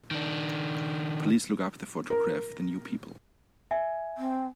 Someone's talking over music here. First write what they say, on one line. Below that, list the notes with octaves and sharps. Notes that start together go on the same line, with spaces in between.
Please look up the photograph, The New People.
D#3 D4
A#4
E5 G#5
C4